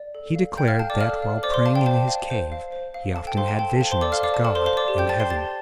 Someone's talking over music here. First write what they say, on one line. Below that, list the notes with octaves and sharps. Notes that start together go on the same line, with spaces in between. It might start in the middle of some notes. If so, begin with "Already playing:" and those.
He declared that, while praying in his cave, he often had visions of God and heaven.
Already playing: D5
A4
F5
A4 G5 G6
F5 F6
F5 A5
D5 D6
A4 F5 F6
F5
C5 D5 D6
C5 C6
F5 A5
G5
C5 A5
F5
C5
F5
C5
F5
A4 A5
G5
C5 F5 C6
A5
A4 G5
A5
F5 A5
C5 C6
A4 D5 D6
F5 F6
D5 F5 D6
A5
A4 A5
C5 C6
C5 F5 C6
D5 D6
G4
G5 G6
C5 G5 A5 A6
C6 C7
G4 A5 A6